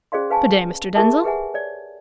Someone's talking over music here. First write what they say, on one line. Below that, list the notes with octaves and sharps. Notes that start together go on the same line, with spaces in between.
Good-day, Mr. Denzil.
C#4 G#4 C5 D5 F5 C6
B4 F5 G#5 A5 C#6
G4 G#4 A#4 E5 A5
G4 G#4 B4 E5 F#5 G#5
C#5 D5